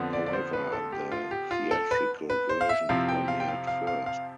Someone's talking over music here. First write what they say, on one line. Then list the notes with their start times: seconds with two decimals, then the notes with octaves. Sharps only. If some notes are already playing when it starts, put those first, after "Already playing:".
However, the theatrical version premiered first.
Already playing: F2 D3 F3 B3
0.13 D5
0.26 D5
0.33 C5
0.53 B4
0.73 A4
0.92 G4
1.12 F4
1.31 G4
1.51 F4
1.71 A4
1.91 B4
2.30 B4
2.49 C5
2.61 F5
2.69 E5
2.89 F2 C3 F3 C4 E4 F5
3.09 G5
3.28 F5
3.40 G5
3.48 F5
3.67 F5
3.87 F5
4.06 F5